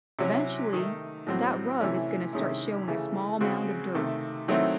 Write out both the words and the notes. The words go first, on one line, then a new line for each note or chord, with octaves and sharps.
Eventually, that rug is gonna start showing a small amount of dirt.
C3 F#3 C#4 E4
D#3 A3 D#4
A2 F#3 C4 F#4
C3 E3 A3 C#4 E4
C3 D#3 G#3 C#4 E4
C#3 E3 A3
C#3 G#3 C4 F#4
C3 D#3 A3
D#3 F#3 A3 C4 E4